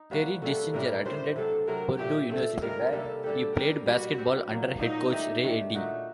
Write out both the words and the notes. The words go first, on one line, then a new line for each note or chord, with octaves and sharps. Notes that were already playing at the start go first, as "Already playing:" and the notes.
Terry Dischinger attended Purdue University where he played basketball under head coach, Ray Eddy.
Already playing: D#4
C3 G3 A#3 F#4
C3 G3 A#3 F#4 A4
A2 G3 D4 A#4
A2 G3 D4 C5
C3 F#3 C4 A4
C3 F#3 C4 A#4
A#2 A3 C4 G4
A#2 A3 C4 A4
C3 D#3 G3 A#3 A#4
C3 D#3 G3 A#3 A4
D3 G3 D4 G4 A4
D3 G3 D4 G4 A#4
G3 C4 F#4 G4
G3 C4 G4
A#2 F#3 A#3
A#2 F#3 A#3 D#4
D#3 A3 D4 G4
D#3 A3 D4 G4
A#2 A3 D#4 F#4